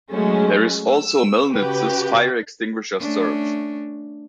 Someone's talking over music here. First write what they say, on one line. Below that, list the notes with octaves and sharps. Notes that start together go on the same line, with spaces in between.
There is also Mellnitz's Fire Extinguisher Serv.
F#3 G#3 A3 C#4
E6
C#3 F#4 G4 B4
A3 C#4 D4